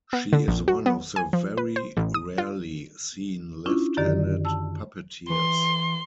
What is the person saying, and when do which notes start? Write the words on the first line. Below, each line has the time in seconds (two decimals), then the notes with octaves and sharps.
She is one of the very rarely seen left-handed puppeteers.
0.13 B3
0.33 D3
0.48 A#1
0.68 F#4
0.86 B3
1.16 G#5
1.33 F3
1.57 B4
1.76 C5
1.97 A1
2.14 D#6
2.38 F4
3.66 C#4 D4 E4 F4
3.97 F#2 D3 D#3 G4 D5
4.45 A5 E6
5.30 E3 C6